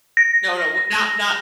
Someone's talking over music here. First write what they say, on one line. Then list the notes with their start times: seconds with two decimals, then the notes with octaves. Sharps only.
No, no, w not not
0.17 A#6